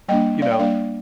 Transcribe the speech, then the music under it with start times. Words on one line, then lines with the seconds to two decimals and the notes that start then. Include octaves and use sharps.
you know,
0.08 G3 A#3 D4 D#5 G5
0.42 D5 F5
0.51 G5
0.59 G3 A#3 D4 D5 F5